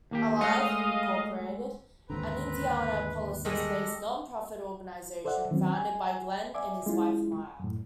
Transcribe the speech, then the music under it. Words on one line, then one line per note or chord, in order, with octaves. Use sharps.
Alive, Incorporated an Indianapolis-based non-profit organization founded by Glenn and his wife, Maya.
D#2 A#3 G4
G#3 A3 C#5 D#5 F5
D#2 G#2 D3 C4 B4 A#5
D#3 G3 G#3 G4 A4 D#5
A4 C5 D5 E5 F#5
D#3 F#3 C4 C#4
G#5
D5 E5 G#5 D6
G#3 C#4 E4 F4
F#2 A2